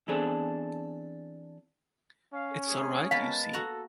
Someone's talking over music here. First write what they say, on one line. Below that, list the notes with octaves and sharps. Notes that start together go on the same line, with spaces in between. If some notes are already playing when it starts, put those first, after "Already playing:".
It's all right, you see.
E3 B3 C4 D4 G#4 A4
C#4 F5
D#2 A3 G#4
G#3 A#3 B3 F5 A5
F#4 A4 A#5